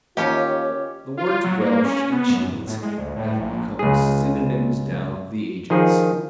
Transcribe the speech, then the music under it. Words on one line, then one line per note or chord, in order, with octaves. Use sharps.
The words Welsh and cheese have become synonyms down the ages.
D#2 C#4 F4 G4
F4
F#3
A#3
C#4
B3
F#2
D1
A2
G#3
D2
A2
A#1
C#2 G#4
D#3 F3 G#4